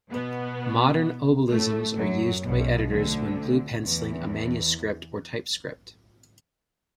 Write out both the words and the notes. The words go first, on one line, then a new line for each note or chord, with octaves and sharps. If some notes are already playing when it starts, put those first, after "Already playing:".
Modern obelisms are used by editors when blue-penciling a manuscript or typescript.
B2 B3
A2 A3
F#2 F#3
B1 B2
D2 D3
E2 E3